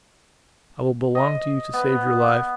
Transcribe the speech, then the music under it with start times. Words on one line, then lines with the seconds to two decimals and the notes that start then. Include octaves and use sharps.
I will belong to you to save your life.
1.15 D#5
1.73 B3